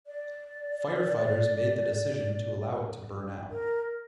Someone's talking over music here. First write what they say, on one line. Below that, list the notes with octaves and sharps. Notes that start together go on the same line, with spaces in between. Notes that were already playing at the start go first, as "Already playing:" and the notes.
Firefighters made the decision to allow it to burn out.
D5
A#4